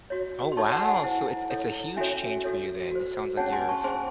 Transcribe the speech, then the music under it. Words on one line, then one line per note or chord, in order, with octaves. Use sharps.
Oh, wow. So it's it's a huge change for you then. It sounds like you're
F#4 C#5
C6
D#4 A4 C#5 A5 C#6
F#5 A5
G#5
F#5 A5
E4 C5
E4 A4 C#5
C#4 F#4 A4 C#5 E5 G#5
F#4 A4 C#5
F#4 C5
C#4 G#4 C#5 F#5 A5
G#5 C6
A5 C#6
C#4 G#4 C5 G#5 C6